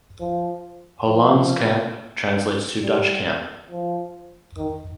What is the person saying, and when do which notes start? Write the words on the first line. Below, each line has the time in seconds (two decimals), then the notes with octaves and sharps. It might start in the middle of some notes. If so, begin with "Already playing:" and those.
Hollandse Kamp translates to Dutch camp.
0.20 F3
1.08 F3
2.83 G3
3.71 F3
4.57 D#3